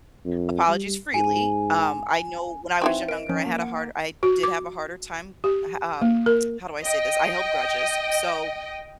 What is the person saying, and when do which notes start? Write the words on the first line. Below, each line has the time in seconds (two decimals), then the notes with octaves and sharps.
apologies freely. Um, I know when I was younger, I had a hard I did have a harder time h um, how do I say this? I held grudges, so
0.25 F2
0.69 G3
1.14 G#2 G#5
2.82 E3 C4 D#4 F#4 G5
3.08 A#4 D#5 D7
3.29 F3 C#4
3.46 A#3
3.62 F#5
4.23 F#4
4.43 D6
5.44 G4
6.02 A#3
6.26 A#4
6.85 D#5 G5